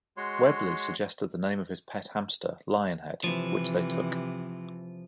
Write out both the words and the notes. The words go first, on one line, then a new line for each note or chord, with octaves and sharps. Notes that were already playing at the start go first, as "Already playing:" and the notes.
Webley suggested the name of his pet hamster, Lionhead, which they took.
G#3 F#4 C#5 C6
C3 E3 F3